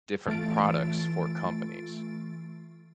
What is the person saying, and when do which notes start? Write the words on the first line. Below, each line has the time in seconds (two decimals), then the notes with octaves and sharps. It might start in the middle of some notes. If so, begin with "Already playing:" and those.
different products for companies,
0.27 E3 A3 F4 A6 D7